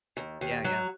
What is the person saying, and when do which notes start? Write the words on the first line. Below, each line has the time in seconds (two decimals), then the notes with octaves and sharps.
Yeah, yeah.
0.17 D#2
0.41 D#2
0.65 F#3